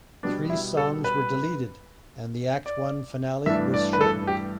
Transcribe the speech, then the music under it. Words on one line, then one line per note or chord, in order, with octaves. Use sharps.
Three songs were deleted, and the Act One Finale was shortened.
B2 G3 B3 D4
E4
A4
B4
D5
G2 E3 A3 D4 E5
D5
B4
A4
G4